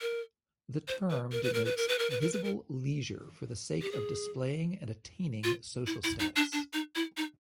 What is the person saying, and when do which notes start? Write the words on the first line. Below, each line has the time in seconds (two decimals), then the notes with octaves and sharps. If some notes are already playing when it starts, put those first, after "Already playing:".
The term denotes visible leisure for the sake of displaying and attaining social status.
0.01 A#4
0.88 C5
1.10 B4
1.32 A#4
1.43 B4
1.54 A#4
1.65 B4
1.77 A#4
1.88 B4
1.99 A#4
2.10 B4
2.21 A#4
2.32 B4
2.44 A#4
3.82 G4
3.92 G#4
5.44 F4
5.87 E4
6.04 E4
6.20 D#4
6.36 D4
6.53 D4
6.73 D#4
6.96 E4
7.17 D#4